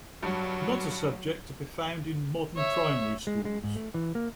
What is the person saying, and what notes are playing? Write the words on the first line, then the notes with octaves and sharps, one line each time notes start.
Not a subject to be found in modern Primary Schools.
G2 F#3
C#5 E5
G#3
G#3
G#2
A3
E3
A#3